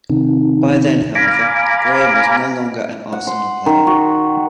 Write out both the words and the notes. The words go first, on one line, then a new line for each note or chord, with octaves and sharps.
By then, however, Graham was no longer an Arsenal player.
C3 D#3
F5 G#5 A#5 B5 D6
F#5
C6
D#3
F#4